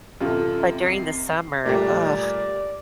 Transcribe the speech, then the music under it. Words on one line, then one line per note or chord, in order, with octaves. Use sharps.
but during the summer, ugh,
A1 F#2 C3 F4 A4
C7
A#2 G3 A3 A#3 G4 D5